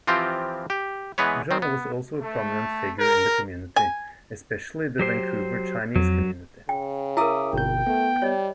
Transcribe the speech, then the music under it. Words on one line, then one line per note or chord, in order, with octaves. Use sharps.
Jung was also a prominent figure in the community, especially the Vancouver Chinese community.
E3 F3 C4 F4 G4
G4
E3 G#3 B3 B4 C#5
D#3 C4
B3
A3
A#4
G#5
F#3 G4 C5
F2 F#3
C#3 G5
E4 A#4 E5 D6 D#6
G1 B2 G5 G6
A3 B3
G3 C#5 D#5